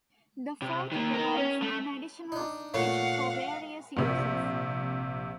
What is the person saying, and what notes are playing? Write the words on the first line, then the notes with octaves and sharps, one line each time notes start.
The fourth provides an additional stage for various uses.
C3
D#3 A#3
D#4 A#4
C#4
A3
D4 D#4
A#2 A3 C#5 F5 F#5
A#1 C3